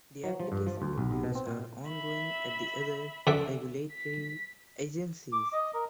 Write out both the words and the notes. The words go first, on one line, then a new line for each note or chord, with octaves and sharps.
The application reviews are ongoing at the other regulatory agencies.
F#3
F3
G2
F3
D2
B1
B1
B2
C4
A#2
E5 B5
D3 E5 D6
B6
D6
D#5
A#4